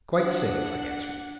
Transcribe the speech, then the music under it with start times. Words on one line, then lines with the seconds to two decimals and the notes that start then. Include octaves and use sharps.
"Quite safe," I answered.
0.16 D4 F#5